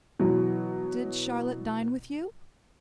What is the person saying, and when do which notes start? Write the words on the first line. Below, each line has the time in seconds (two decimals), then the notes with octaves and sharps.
"Did Charlotte dine with you?"
0.19 B2 E3 F#3